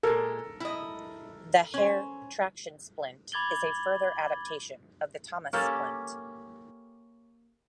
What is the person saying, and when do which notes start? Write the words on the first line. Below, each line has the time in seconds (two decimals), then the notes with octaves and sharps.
The Hare traction splint is a further adaptation of the Thomas splint.
0.03 A#2 G#3 A4 A#4
0.60 E4 D#5
1.74 C#4 C5
3.32 B5 D6 G#6 A6 F#7 G7
5.53 A#3 C#4 G4 A4